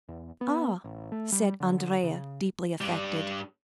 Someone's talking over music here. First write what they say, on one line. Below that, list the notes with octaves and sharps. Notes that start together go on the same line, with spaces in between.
"Ah," said Andrea, deeply affected.
E2
B3
A1
A3
G3
D3
C#3
G2 G3